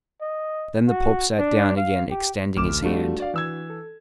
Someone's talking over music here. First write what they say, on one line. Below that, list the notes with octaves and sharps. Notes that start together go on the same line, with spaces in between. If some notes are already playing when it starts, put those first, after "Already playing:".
Then the Pope sat down again, extending his hand.
D#5
F#4
D4
F5
G4
A1 D2 D6 F6 E7
G3 A3 D4 F4 F#4
D5 F5
E3 E6 G#6
A4